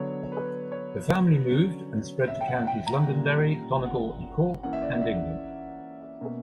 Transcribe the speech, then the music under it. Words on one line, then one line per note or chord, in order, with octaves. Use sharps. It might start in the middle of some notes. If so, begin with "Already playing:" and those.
The family moved and spread to counties Londonderry, Donegal and Cork, and England.
Already playing: D3 F#3 B3 C#5
B4
C#5
D3 F#3 C#4
E5
G5
F#5
G5
A#5
A#2 G3 A#3 C#4
F#5
E3 A#3 C#4 F#5
E5
D5
E5
E5
B2 A#3 C#4